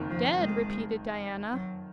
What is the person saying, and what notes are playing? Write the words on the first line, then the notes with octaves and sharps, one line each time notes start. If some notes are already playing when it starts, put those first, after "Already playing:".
"Dead?" repeated Diana.
Already playing: F#1 F2 D#3
F3
G#3
F#3